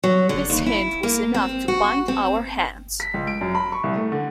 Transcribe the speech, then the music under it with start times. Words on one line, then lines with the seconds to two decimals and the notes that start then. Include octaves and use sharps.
This hint was enough to bind our hands.
0.03 F#3
0.29 D3
0.50 D#2
0.66 E4
1.03 A#3
1.34 C4
1.68 F#4
2.08 C4
3.00 B6
3.14 C#2
3.27 D7
3.41 F#2
3.55 B5
3.72 C#6
3.84 C2
3.95 A3
4.12 D3